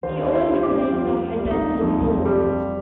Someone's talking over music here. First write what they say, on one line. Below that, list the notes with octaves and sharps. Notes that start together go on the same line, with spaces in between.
'He always claimed that I bent his sword.
D#2 C5
C5
G3
G4
G4
F2 F4
G3
D#4
F2
G3